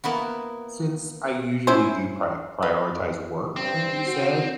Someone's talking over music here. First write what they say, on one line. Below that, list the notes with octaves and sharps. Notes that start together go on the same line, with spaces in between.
since I usually do prio prioritize work, like you said,
A#3 B3 E4 F#4
C#4 E4 C5
B4
G2 C4
F#4